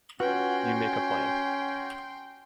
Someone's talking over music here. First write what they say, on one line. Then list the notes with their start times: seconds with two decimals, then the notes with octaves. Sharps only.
You make a plan.
0.20 C#4 F4 F#4 B4 G5 C6